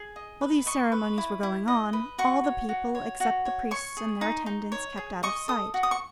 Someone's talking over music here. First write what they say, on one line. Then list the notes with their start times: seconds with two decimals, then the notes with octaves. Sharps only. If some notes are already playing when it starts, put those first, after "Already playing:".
While these ceremonies were going on, all the people except the priests and their attendants kept out of sight.
Already playing: G#4
0.16 D#5
0.41 B4
0.66 D#5 C#6
0.92 B4
1.18 E4
1.43 E4
1.68 D#5
1.93 B4
2.18 F#4 C#6
2.44 C#5
2.69 F#4
2.95 C#5
3.20 F#4
3.45 C#5
3.71 C#5 C#6
3.97 G#4
4.21 D#4
4.46 D#4
4.72 C#5
4.97 G#4
5.23 D#5 C#6
5.48 A4 D#6
5.74 F#4
5.83 D#6
5.91 C#6